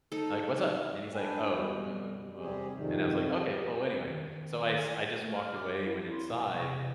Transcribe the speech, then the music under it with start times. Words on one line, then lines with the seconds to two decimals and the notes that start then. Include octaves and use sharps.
like, "What's up?" And he's like, "Oh, uh, well" and I was, like, "Okay. Well, w anyway." So I s I just walked away, went inside,
0.12 D#4 A4
1.14 D4 B4 G5 G#5
1.48 B2 G3
2.38 C3 G3 C4 G4 G#4
2.73 F2 G#2 C3 D#3
3.31 G4
4.10 D#3
4.78 G#5
5.21 A3
5.36 F6
5.56 D6
5.72 G4
5.86 E4
6.12 C6
6.31 B2
6.44 C#6
6.60 C3